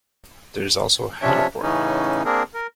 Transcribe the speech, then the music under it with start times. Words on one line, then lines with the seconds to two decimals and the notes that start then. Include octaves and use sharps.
There is also a heliport.
1.22 C3 F3 C#4 D4 C#5 E5
1.63 A2 C#3 E3 C#4 D#4
2.25 A#3 C4 D4 G#4 A#4
2.54 A#4